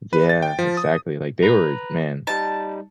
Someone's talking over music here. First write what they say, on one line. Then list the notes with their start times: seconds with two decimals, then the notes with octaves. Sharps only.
Yeah. Exactly. Like, they were man,
0.13 B4
0.29 A6
0.42 G5
0.59 F3
0.77 D#6
1.42 B4 A#5
2.27 G3 D#4 A5